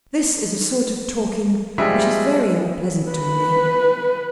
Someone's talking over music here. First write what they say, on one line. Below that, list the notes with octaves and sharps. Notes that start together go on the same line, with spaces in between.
This is a sort of talking which is very unpleasant to me.
F3 G3 G#3 D#5 E5
B4